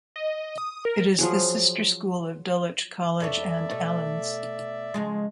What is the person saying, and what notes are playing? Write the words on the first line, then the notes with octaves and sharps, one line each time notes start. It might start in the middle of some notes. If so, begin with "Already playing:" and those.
It is the sister school of Dulwich College and Alleyn's.
D#5
D#6
A#4
F3 F#3 G#4
F2 A4 C#5 D5 E5
B2 A3
C#3 F3 G#3